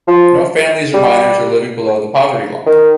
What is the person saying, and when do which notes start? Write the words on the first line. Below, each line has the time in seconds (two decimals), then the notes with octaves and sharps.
No families or minors are living below the poverty line.
0.08 F3
0.94 G3
2.66 D#3